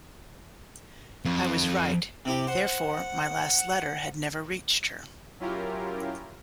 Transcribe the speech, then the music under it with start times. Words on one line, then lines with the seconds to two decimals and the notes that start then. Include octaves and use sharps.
I was right, therefore, my last letter had never reached her.
1.25 F2
2.25 C3 E4 G4
2.47 C5 F#5
5.40 F#3 C#4 E4 F4 G4 A#4